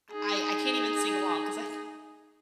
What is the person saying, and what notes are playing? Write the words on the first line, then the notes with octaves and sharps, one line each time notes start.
I I I can't even sing along 'cause I I
D#4 G#4